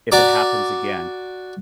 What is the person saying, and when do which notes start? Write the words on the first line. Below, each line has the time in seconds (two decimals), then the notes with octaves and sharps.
if it happens again,
0.12 F#4 D5 A#5 D6